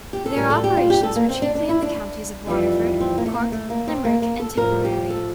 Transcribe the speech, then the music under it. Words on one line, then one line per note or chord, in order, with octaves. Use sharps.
Their operations were chiefly in the counties of Waterford, Cork, Limerick, and Tipperary.
G4
A4
A2 G3 A#4
A4
G4
F4
G4
A4
A#3
C4
D4
D4
E4
D4
F2 E3 G3
C4
A#3
A3
A#3
A3
A#3
C4
A#3
A#3
A4
A2 F3 A#4
G4
A4